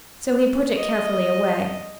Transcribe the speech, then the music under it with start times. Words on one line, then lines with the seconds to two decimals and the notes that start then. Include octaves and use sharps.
So he put it carefully away.
0.77 D#5